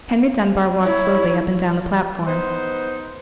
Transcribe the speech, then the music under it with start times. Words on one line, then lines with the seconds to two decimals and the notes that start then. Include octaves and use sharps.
Henry Dunbar walked slowly up and down the platform.
0.83 E4 C#5
2.27 B3 D#4 C5